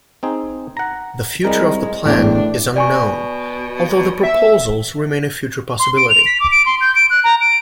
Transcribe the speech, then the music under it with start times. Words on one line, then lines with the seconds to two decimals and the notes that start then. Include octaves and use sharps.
The future of the plan is unknown although the proposals remain a future possibility.
0.23 C4 D#4 G#4
0.77 F#5 A#5
1.45 C2 G3 G#3 A#4
2.06 A1 E2 A2 D4 G5
2.76 B2 D5 G#5 C#6
4.23 E5
5.80 C6
5.97 D7
6.10 F7
6.26 B6
6.40 D6
6.52 D7
6.66 C6
6.81 G6
6.95 D7
7.10 F#6
7.24 A#5
7.41 D7